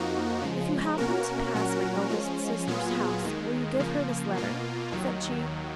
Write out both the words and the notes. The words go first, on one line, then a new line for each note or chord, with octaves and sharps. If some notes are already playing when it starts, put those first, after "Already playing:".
'If you happen to pass my eldest sister's house, will you give her this letter?' said she.
Already playing: F2 F3 A#3 D#4 F#4
C#3 F3 G#3
B2 A#3 C#4 F#4 A#4
A#2 F#3 C#4 F#4 A#4
F3 G#3 C#4
A#2 F#3 B3 F4 G#4
D#2 D#3 G#3
C#3 F3 A#3
B2 A#3 F4
D#2 D#3 F#3